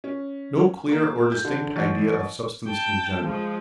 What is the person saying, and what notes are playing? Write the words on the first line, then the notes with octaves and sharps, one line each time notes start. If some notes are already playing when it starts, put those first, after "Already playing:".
No clear or distinct idea of Substance in general.
C#4
A#3
G6
D3
A1
G5 A5
F3 G#3